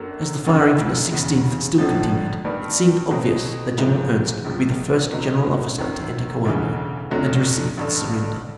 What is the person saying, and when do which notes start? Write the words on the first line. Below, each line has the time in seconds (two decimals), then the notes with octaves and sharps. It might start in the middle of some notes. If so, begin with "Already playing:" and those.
As the firing from the Sixteenth still continued, it seemed obvious that General Ernst would be the first general officer to enter Coamo, and to receive its surrender.
Already playing: G1 F#2 D3 F#3 A#3
0.45 G1 F#2 C#3
1.11 E1 E2 C#3
1.78 G1 F2 D3 F3
2.44 G2 D#3 G3 B3
3.11 B2 F#3 A3 C4
3.78 G#2 F3 G#3 C4 E4
4.44 A#1 G#2 F3
5.11 C2 B2 F#3 B3 D#4
5.78 G#1 F#2 D#3
6.44 E1 D2 C#3 E3 G#3
7.10 F1 F2 D3 F#3 A3
7.77 A1 G2 D3